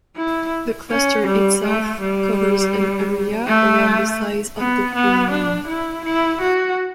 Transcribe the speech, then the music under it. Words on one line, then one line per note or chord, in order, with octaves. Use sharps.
The cluster itself covers an area around the size of the full moon.
E4
C#4
G3
A3
G3
A3
B3
B3
D4
E4
E4
F#4